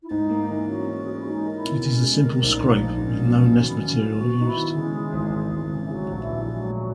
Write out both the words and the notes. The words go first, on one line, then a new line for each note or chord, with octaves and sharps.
It is a simple scrape with no nest material used.
E4
G#2 D#4
A#3
E3
C#4 F#4
C#4
G#4
C#4
F#4
E4
G#3 D#4
A#4
E4
B2
B3
G#3 C#4
G#3
A#4
A#1 D#4
A#1
A#1
D#4
G#2 C#4
F#3
C#4
G#2
D#3 C#4
B3
F#3 C#4
D#3
B3 F#4
B3 D#4
E4
D#3
C#3 G#3
E3
G#1
E3
G#1
C#3
E3
F#3 G#3
A#1
E3
A#1
F#3 G#3
A#2